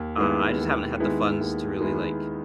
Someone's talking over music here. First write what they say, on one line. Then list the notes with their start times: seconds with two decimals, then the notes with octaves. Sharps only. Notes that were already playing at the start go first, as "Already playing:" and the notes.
uh, I just haven't had the funds to really, like
Already playing: D#2
0.18 D#3 G#3 B3 E4
0.60 D#2
1.00 D#3 G#3 B3 E4
1.41 D#2
1.81 D#3 G#3 B3 E4